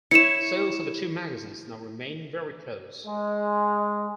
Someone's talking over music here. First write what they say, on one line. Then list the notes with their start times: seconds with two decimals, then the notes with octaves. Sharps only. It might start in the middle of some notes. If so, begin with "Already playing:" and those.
Sales of the two magazines now remain very close.
0.11 E4 C#5 C#7 E7
3.06 G#3